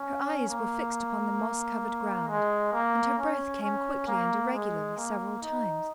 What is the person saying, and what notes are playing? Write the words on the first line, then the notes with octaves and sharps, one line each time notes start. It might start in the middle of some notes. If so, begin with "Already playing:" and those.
Her eyes were fixed upon the moss-covered ground, and her breath came quickly and irregularly several times.
Already playing: C#4
A#3
G#3
A#3
C#4
C#4
A#3
G#3
A#3
D#4